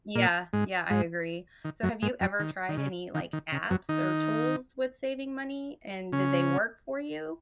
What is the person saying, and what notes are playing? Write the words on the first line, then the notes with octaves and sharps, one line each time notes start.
Yeah, yeah, I agree, so have you ever tried any like apps or tools with saving money, and did they work for you?
A#2 A#3
G#2 G#3
G#2 G#3
D#3
F#2 F#3
G#2 G#3
F#2 F#3
D#3
D#3
C#3
D#3
D#3
C#3
F#2 F#3
D#3 D#4
C#3 C#4